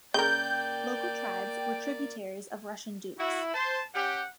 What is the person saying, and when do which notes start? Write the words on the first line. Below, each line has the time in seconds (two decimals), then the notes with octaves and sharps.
Local tribes were tributaries of Russian dukes.
0.14 C#3 A#3 A#4 D5 G5 G6
3.19 E4 F#4
3.54 C5 A5
3.94 C#4 G4 F#5